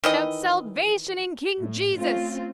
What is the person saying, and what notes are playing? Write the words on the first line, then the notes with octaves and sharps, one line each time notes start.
Shout salvation in King Jesus.
D#3 E3 D#5
A2
A3 C4 C#4 F4